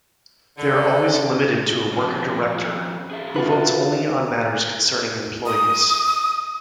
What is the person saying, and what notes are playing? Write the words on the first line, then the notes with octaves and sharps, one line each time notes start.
They are always limited to a Worker-Director, who votes only on matters concerning employees.
D3
F3 C4 C#4
G#4 E5 F5
F4 F#4 B4
D#6